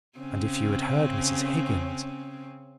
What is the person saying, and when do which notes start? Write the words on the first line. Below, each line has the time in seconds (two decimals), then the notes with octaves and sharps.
And if you had heard Mrs. Higgins!
0.18 C#3 C4 C#4